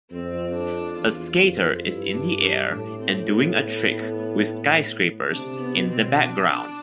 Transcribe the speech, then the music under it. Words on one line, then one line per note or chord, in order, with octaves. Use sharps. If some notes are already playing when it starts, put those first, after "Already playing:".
A skater is in the air and doing a trick with skyscrapers in the background.
F2 C4
D4
E2 F4
F4
F2
F4
G2 E4
D4
D4
A2 D4
C4
B3
C3 D4
B3
B2
C4
D4